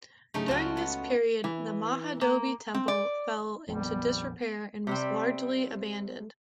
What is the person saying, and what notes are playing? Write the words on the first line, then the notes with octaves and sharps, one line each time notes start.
During this period, the Mahabodhi Temple fell into disrepair and was largely abandoned.
G2 C#3 F#3 A3 C#4 D#4
C#2 F4 F#4 A5
B3
E3
A#3
C4
D5
A#1 F2 G3 B3
C3 G3 C4